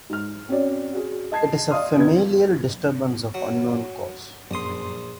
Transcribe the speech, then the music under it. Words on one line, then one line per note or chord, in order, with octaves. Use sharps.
It is a familial disturbance of unknown cause.
G#2 F6
C4 C#4 F#4 C#5 D5
F#4 G#4
D#5 A5 G#6 C7
D5 D#5 F5 C6 D#6 F6
C3 B3 G#6
F#3
A#1 F#2 C6 D#6